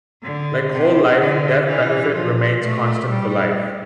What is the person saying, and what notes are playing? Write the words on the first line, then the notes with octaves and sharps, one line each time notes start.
Like whole life, death benefit remains constant for life.
D3
C3
D3
E3
F3
A3
G3